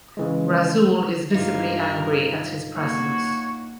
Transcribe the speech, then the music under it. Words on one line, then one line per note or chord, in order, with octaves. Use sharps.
Rasool is visibly angry at his presence.
C#3 E3 G#3
G2 D#4 F4 A#4
A#3 F#4 C#5